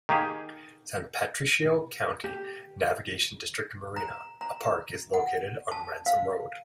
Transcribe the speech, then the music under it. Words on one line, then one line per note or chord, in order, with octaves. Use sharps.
San Patricio County Navigation District Marina, a park, is located on Ransom Road.
D#3 A#3 G4 G#4
G4
A#5
A#5
F#5
A5
F5